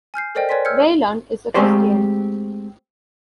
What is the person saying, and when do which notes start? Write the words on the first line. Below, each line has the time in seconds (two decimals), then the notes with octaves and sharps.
Bailon is a Christian.
0.14 G#5 F6 G6 C7
0.35 A4 A#4 C5 D5 D#5 G5
0.49 B4 C#5 D5 G#5 C6 B6
0.65 E6 F6 G6 G#6 C#7
1.54 G#3 A3 C4 G4 C5 D5